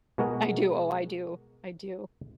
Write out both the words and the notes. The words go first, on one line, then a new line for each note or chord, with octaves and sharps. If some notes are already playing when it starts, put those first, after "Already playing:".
I do. Oh, I do, I do.
B2 G#3 F#4 A#4 D#5